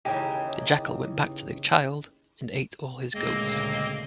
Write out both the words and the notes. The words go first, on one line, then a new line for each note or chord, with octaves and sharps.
The jackal went back to the child, and ate all his goats.
D#2 C#3 E3 D#4 G4 G#5
D2 A#2 C#3 G#3 A#3 C4 D#5